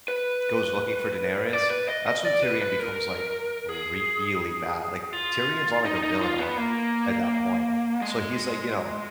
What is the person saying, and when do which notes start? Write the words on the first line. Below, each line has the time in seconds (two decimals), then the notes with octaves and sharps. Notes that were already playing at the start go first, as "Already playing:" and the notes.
goes looking for Daenerys, that's when Tyrion becomes, like, really bad. Like, Tyrion's on, like, a villain arc at that point, so he's, like, you know
0.08 B4
1.53 D5
1.70 B4
1.89 D#5
2.07 D#5
2.24 D5
2.43 B4
2.61 B4
2.80 A#4
3.69 G#4
5.13 F4
5.85 D#4
6.03 D#4
6.21 F4
6.39 B3
6.57 A#3
8.02 G#3